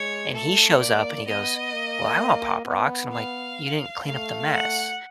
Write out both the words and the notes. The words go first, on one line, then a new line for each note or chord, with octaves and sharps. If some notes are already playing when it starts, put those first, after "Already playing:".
And he shows up and he goes, "Well, I want Pop Rocks." And I'm like, "You didn't clean up the mess."
Already playing: G#3 C#5
A3 A4
A#3 D5
B3 D#5
A#3
B3
F5
A3 F5
F#5